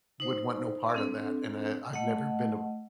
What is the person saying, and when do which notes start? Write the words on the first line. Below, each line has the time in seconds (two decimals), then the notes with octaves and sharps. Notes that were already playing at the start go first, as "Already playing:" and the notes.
would want no part of that, and I I've never been a
0.20 D#4 C5
0.94 C4 D4 A4
1.93 A3 D#5 F#5